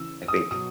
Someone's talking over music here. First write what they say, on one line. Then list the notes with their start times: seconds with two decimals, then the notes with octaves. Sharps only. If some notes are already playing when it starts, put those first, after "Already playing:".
I think,
Already playing: C#3 E3 E6
0.28 D#6
0.51 B2 F#3 D#6